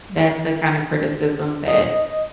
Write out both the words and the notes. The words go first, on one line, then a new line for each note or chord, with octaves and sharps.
That's the kind of criticism that
D#5